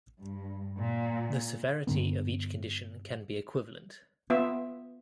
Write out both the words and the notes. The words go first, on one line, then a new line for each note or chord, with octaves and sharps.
The severity of each condition can be equivalent.
G2
A#2
G2 D3 B3
B3 F4 E5